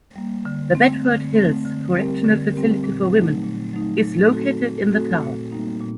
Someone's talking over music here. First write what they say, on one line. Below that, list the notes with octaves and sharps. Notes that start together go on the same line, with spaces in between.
The Bedford Hills Correctional Facility for Women is located in the town.
G3 A#3
D3
A3 C4
D3
A3 C4
D3
G3 C4 G4 A#4
D3
G3 C4 G4 A#4
A#2
F#3 A3 D#4
A#2
F#3 A3 D#4
A#2
A3 C4 F#4 A4
A#2
A3 C4 F#4 A4
A#2
G3 A#3 D#4
A#2